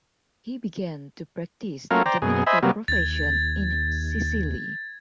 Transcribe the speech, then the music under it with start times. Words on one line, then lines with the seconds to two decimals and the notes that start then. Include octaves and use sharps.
He began to practise the medical profession in Sicily.
1.91 F#3 A3 A#3 C#4 F4 A#4
2.06 C5 D5 G5 A#5
2.22 F#2 B2 G#4
2.47 C5 D#5 E5 G#5 B5
2.63 C3 F#3 G3 A#3 B3
2.88 D#2 G#6 A6